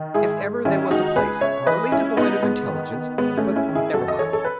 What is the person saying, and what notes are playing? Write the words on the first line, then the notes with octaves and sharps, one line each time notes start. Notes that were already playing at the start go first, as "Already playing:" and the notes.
If ever there was a place utterly devoid of intelligence-but never mind!
Already playing: D#3
G#2 E4 G#4
G#2
D#3 C#4 E4
C#2 D#4 F#4
C#2 G#4 B4
C#3 C#5 E5
E3 B4 D#5
C#2 C#4 E4
C#2 B3 D#4
G#2 B3
D#3
D#3
G#2 B3
A3 C#4
G#2
C#4 E4
D#3
E4 G#4
F#2 F#4 A4
D#5
E3 A4 C#5
A4
B4